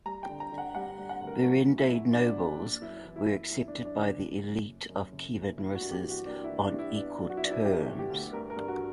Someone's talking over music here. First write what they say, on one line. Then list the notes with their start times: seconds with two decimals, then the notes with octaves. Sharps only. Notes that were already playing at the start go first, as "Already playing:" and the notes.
Berendei nobles were accepted by the elite of Kievan Rus' on equal terms.
0.05 G3 A#5
0.23 G5
0.29 D3
0.40 A#5
0.52 D3
0.58 F#5
0.75 G3 F#5
0.98 G3
1.09 F#5
1.21 D2
1.27 A#4
1.43 F#3 F#4
1.67 A#1
1.78 E4
1.90 A#1
2.13 A#1 D4
2.35 A#1
2.58 A#1
2.81 F#2 E4
3.04 E3
3.16 E4
3.27 F#1
3.50 F#2 E4
3.68 D4
3.74 F#2
3.85 D4
3.97 C#3
4.20 C#3
4.43 F#2
4.65 F#1
4.89 F#2
5.12 C#3
5.35 F#1
5.57 A#3 E4
5.75 F#4
5.80 G2
5.91 G4
6.04 E3
6.10 F#4
6.26 A#3 D4
6.44 E4
6.49 E3
6.61 D4
6.72 G2
6.79 E4
6.96 B3 D4
7.18 F#3
7.30 F#4
7.37 E4
7.42 B3 D4
7.51 E4
7.64 B3 G4
7.87 D2
7.99 G4
8.10 D2
8.33 G2 A#4
8.50 A#4
8.56 G2
8.68 F#4